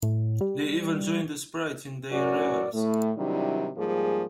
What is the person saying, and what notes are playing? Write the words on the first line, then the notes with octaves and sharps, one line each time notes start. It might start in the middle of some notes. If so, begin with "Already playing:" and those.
They even joined the sprites in their revels.
A2
G3
F#2 A2 C#4 F#4 A#4 D5
A2 A3
C3 D#3 F#3 G3 D4 E4
G#2 F3 G3 A#3 G#4